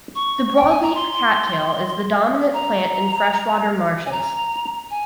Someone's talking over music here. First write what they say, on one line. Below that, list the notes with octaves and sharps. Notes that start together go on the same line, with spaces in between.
The broadleaf cattail is the dominant plant in freshwater marshes.
C#6
G5
G#5
A#5
C6
A#5
G#5
A#5
G#5